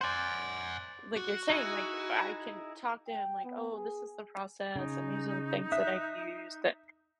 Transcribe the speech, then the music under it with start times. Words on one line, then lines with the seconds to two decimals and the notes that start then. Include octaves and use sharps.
like, you're saying. Like, I can talk to him like, "Oh, this is the process and these are the things that I've used." That
0.01 C5 D5 F#5 G#5
1.17 F#4
1.50 D#4 E4 G#4
3.08 G5
3.44 B3
3.73 G#4
4.76 C#3 D#4
5.72 E5 D#6 F#6